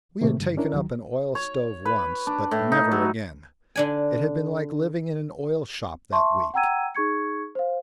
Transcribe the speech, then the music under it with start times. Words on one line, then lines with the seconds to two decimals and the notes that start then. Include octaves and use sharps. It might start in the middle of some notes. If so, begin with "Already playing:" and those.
We had taken up an oil-stove once, but "never again." It had been like living in an oil-shop that week.
0.21 A2 C3 D#3 A3 A#3
0.40 G2 D3
0.57 C#4 D4 E4 A#4
0.73 D2 D#3 F#3
1.35 C#5
1.85 B4
2.27 D4
2.51 A2
2.72 D#4
2.91 F#3
3.76 D3 D4 G#5
6.12 E5 A5 C6 C#6
6.54 F#5 G5 A#5 E6 G#6 D#7
6.95 D#4 G#4 C#6 G#6 C#7
7.55 C5 F5